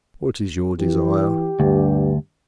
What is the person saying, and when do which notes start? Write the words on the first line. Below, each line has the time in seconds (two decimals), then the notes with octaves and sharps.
"What is your desire?"
0.79 E3 G4
1.60 D2 G2